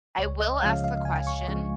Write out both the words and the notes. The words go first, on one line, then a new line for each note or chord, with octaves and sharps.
I will ask the question.
C#2 C#5
D#5
C#3 F3 G#3 F5
F5
C#2 G#5
C#6
C#3 F3 G#3 C#6